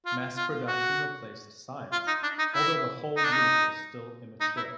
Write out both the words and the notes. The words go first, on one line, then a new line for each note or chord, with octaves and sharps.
Mass production replaced science, although the whole unit was still immature.
F4
F4
F#4
F4
D#4
D4
D#4
E4
D#4
D4
D#4
D#4
E4